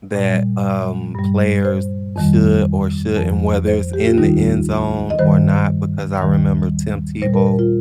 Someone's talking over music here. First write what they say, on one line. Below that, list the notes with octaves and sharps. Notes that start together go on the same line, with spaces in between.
that, um, players should or shouldn't, whether it's in the end zone or not, because I remember Tim Tebow
A#2 G3
G2 G3
C5
F2 D#3 G3
F2 F3
C5
G4
F4
D#2 D#3 G3 D#4
D#5
G2 D#3 G3 C5
D#2 D#3 G3
A#2 G3 C5
A#4
A#4
F4